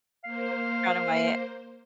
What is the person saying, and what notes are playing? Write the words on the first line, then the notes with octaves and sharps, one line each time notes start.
brown or white?
A#3 C5 F5